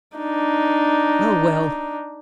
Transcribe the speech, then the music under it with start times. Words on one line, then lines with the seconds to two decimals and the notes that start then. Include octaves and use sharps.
'Well! well!
0.18 D4 D#4